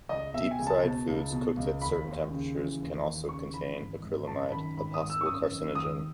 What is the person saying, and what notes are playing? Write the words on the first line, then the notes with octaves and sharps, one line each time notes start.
Deep-fried foods cooked at certain temperatures can also contain acrylamide, a possible carcinogen.
C#2 D#5
B2 E5
G#5
C#2
A5
B2
C#2
B2
C#2
D#2 B5
D#2
C#3
E3
D#2
D#2
C#3 C#6
E3 B5
G#1
G#1
F#2 A5
D#3 B5
G#1 B5
D#6
G#1
E6
C#6
F#2 D#6
D#3
D#2 D#6